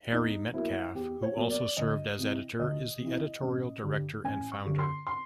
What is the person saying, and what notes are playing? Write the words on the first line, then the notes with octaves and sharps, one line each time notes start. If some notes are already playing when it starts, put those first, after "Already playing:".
Harry Metcalfe, who also served as editor, is the editorial director and founder.
E2 D#4
B2 F#3 A#3 E4
E2 G4
C#5
B2 F#3 A#3
D5
D2 D#5
C3 E3
D2 D#5
C3 E3
A1
G2 D3
A1 G#5
C#6
G2 D3
C6
C6